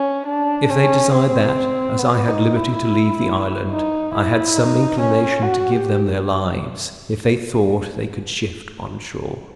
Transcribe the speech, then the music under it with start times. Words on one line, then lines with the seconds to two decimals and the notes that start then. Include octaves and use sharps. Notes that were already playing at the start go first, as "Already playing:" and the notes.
If they desired that, as I had liberty to leave the island, I had some inclination to give them their lives, if they thought they could shift on shore.
Already playing: C#4
0.26 D4
0.70 C#4
1.13 C4
1.98 B3
2.28 D#4
2.56 E4
3.71 D#4
4.14 E4
4.57 D#4
5.00 C#4
5.43 F#4
5.72 G4